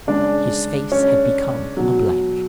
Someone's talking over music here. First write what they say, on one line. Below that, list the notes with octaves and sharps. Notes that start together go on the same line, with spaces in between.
His face had become a blank.
C#3 G#3 D4
C#4
B2 F#3